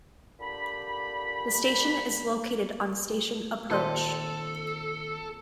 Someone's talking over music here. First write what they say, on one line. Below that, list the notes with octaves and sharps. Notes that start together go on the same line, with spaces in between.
The station is located on Station Approach.
A#2 D3 G4 B5
A#2 D#3 A#3 C4 A4 D#5 E5